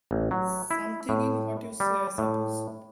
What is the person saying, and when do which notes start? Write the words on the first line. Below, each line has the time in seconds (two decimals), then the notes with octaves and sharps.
Something in what you say, I suppose.
0.11 A1
0.31 F#3
0.71 E4
1.09 A2
1.80 G3
2.18 A2